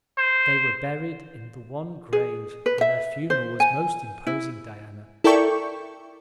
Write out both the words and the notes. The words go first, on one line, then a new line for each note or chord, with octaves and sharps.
They were buried in the one grave and their funeral was most imposing, Diana.
C5
G#4
B4
E5
C5
G#5
E4
E4 A4 A#4 D5 G5 C#6